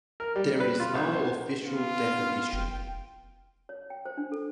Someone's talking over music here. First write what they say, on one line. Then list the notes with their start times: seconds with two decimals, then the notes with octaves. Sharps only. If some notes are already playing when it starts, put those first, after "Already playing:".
There is no official definition.
0.20 A#4
0.36 G3
0.60 B4
0.80 F4
0.95 B1
1.13 C5
1.66 B3 F4
2.53 F1 G5
3.69 C#5
3.90 G5
4.06 C5
4.17 D4
4.32 A4